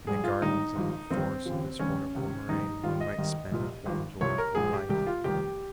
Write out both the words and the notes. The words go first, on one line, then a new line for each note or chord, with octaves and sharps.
In the gardens and forests of this wonderful moraine one might spend a whole joyful life.
A#1 G#2 G3 G#4
F4
G1 G2 D#3 G3 D#4
G#1 G2 F3
G1 F2 D#3 G3 C4
D#2 C#3 F3
F1 D#2 D#3 G3 C#4
C#2 C3 D#3
F1 D#2 D#3 G3 D#4
D#2 D#3 G3 F4
D#5
G#1 G2 D#3
C2 A#2 F3
G#1 G2 F3
C2 C3 F3 C#5
A#4
A#1 G#2 F3 G#4
G4
C2 C3 D#3 G3 G4
F4
F1 F2 D#3 G3 G4